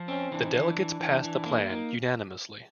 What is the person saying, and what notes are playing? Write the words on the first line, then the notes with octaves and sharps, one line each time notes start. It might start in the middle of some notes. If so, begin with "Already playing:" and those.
The delegates passed the plan unanimously.
Already playing: F3
C4 C#4
E3 D4
D#4
D4
E3
E3
E3
E3
A#3
A#3 D#4